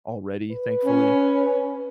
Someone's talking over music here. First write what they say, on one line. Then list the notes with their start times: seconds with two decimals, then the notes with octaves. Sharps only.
already, thankfully.
0.52 B4
0.85 C#4